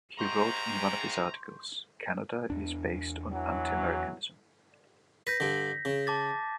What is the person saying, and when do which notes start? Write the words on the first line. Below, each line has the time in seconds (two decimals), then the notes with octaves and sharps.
He wrote in one of his articles: Canada is based on anti-Americanism.
0.19 G#2 C3 A#5 C6 C#6 G6
2.50 E2 D4
3.32 E3 F#3
5.27 B4 G6 A#6 B6
5.40 G2 D3
5.85 C#3
6.07 A5 D6 A6